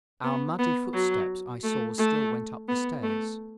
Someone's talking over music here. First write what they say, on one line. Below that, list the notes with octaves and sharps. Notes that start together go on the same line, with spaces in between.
Our muddy footsteps I saw still went up the stairs.
B3
B3
F#3
A3
A3
B3
A3